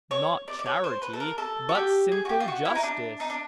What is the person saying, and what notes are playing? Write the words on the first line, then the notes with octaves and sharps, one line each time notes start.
Not charity, but simple justice.
C#5
D5
D5
C#5
C5
B4
A4
A#4
A4
F#4
G4
G#4
F#4
G4
F4
F#4
E4
D#4
D4
D#4
D4